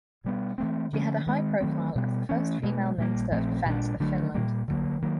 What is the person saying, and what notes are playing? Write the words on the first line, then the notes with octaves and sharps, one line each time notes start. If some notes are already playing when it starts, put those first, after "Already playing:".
She had a high profile as the first female Minister of Defence of Finland.
B2 G3 B3
E3 A3 C4
D3 F3 A#3 C#4
D#3 G#3 C4
D#3 F#3 A3 C4
B2 G3 B3
E3 A3 C#4
B2 G#3 B3
A#2 G3 A#3
A#2 F3 A3 C4
A#2 G3 A#3 D4
D3 F#3 A3 D4
A#2 G3 A#3
D3 F#3 A#3
D#3 F#3 A#3